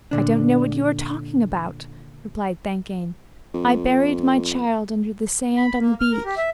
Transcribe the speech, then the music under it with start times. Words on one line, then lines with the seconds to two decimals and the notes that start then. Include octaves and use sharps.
'I don't know what you are talking about,' replied Thakane. 'I buried my child under the sand on the beach.'
0.11 A#2 D3 D4
3.54 F2
5.57 B5
5.80 A#3
6.00 F6
6.12 A#4
6.25 G4
6.37 E5